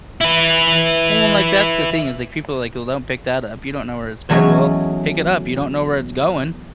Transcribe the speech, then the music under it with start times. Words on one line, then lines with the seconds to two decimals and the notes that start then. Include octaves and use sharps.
Well, like, that's the thing is like people like, "Well, don't pick that up, you don't know where it's been." well, pick it up, you don't know where it's going.
0.21 E4 B4
4.29 E2 F#3 A3 C#4 D#5 G#5